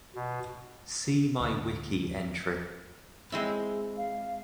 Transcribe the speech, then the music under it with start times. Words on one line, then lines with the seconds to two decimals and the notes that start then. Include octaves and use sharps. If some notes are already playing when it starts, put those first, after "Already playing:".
See my wiki entry.
0.16 B2
1.40 D2
3.32 G#3 C4 E4
3.98 F5